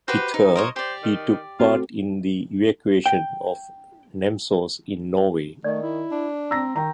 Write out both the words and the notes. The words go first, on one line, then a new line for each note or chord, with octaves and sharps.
With her he took part in the evacuation of Namsos in Norway.
F#4 G4 B4 C5
C3 D#4
A#4 C5 C#5 D#5
G4 C5 D5
D#3
A3 C4 F4 F#4
G5
D#3 A3 D5 D#5
E4
D4
C4 A#5 E6 A#6
D#3 G5 A#5